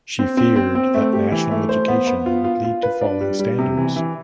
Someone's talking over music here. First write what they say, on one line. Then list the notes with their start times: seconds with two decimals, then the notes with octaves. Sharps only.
She feared that national education would lead to falling standards.
0.19 C4
0.37 C4
0.56 C4
0.75 C4
0.94 A3
1.13 G4
1.32 E3
1.51 A3
1.69 C5
1.88 B3
2.07 B3
2.26 F4
2.44 F4
2.64 F4
2.83 B4
3.01 D4
3.21 G3
3.39 G3
3.59 C3
3.77 E3
3.96 E3